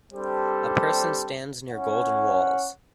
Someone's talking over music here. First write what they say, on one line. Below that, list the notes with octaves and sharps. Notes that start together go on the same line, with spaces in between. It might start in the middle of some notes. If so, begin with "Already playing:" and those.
A person stands near golden walls.
G3 C4 D4 G4 A4 C5
C#4 E4 C#5 F#5